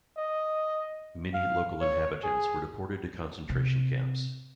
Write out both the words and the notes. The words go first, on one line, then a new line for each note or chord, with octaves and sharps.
Many local inhabitants were deported to concentration camps.
D#5
F5
C#5
G#4
C3